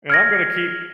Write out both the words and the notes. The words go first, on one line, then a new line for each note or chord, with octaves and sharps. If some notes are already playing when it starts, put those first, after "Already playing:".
And I'm gonna keep
F6 G#6 A#6